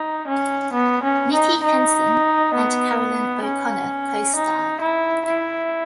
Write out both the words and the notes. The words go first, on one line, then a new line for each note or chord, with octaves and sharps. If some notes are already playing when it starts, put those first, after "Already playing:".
Nicky Henson and Caroline O'Connor costarred.
Already playing: D#4
C#4
B3
C#4
D#4
D#4
B3
C#4
D#4
E4
E4